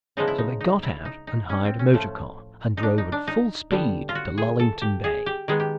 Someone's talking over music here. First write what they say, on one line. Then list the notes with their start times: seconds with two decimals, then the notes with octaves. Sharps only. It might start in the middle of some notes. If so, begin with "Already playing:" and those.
So they got out and hired a motor-car, and drove at full speed to Lullington Bay.
0.17 C#3 F3 G#3 B3 D#4
0.28 E4
0.38 D#4
0.61 D#4
0.83 E4
1.05 D#4
1.27 D#4
1.49 C#4
1.65 C4
1.79 C#4
1.94 A2 F3 A3
2.77 D#4
2.83 D4
2.98 D#4
3.12 D4
3.27 D#4
3.71 D3 G3 B3
4.09 F4
4.15 F#4
4.38 G#4
4.59 A4
4.81 G4
5.04 G#4
5.26 G4
5.48 D#3 G#3 B3 G#4
5.60 G4